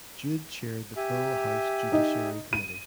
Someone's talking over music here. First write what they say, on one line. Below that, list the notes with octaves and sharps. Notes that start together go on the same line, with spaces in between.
Jude chaired the full House Judiciary Committee.
G4 E5 G#5
D#4
D#7